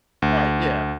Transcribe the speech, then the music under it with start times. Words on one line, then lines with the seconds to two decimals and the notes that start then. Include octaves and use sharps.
Right, yeah,
0.22 D2